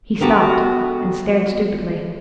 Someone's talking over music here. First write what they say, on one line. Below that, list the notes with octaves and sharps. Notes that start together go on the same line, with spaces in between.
He stopped and stared stupidly.
B3 F#4 G4 A4 A#4